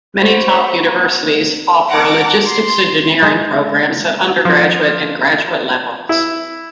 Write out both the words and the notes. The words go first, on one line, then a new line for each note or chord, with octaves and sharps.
Many top universities offer Logistics Engineering programs at undergraduate and graduate levels.
C5 F#5 B5 C#6
F#5 A5 A#5 D6
C6
G#3
F3
E4